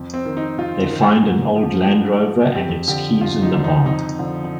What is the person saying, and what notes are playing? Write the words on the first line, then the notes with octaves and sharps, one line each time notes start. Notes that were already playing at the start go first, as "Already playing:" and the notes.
They find an old Land Rover and its keys in the barn.
Already playing: F2
C4
D#3
D#4
F2 F4
D#3
G#2
F3
G#2
F3
F2 G4
D3 F3 G4
F2 F4
D#4
D3 F3
D#4
F2 D#4
D3 F3